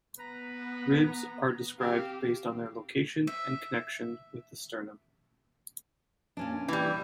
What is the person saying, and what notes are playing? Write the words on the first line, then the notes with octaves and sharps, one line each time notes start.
Ribs are described based on their location and connection with the sternum.
B3 B4 A#5
C4 G4 F5
E5
A#2 C#4 D4
E3 G3